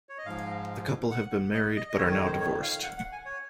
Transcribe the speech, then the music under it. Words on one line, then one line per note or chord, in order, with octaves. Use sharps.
The couple have been married but are now divorced.
C#5
D#5
G#2 F3 F5
F#5
D#5
D#5
D#5
F2 D#3 C#5
C#5
C5
C#5
F5
F#5
F#5
G#5
C#5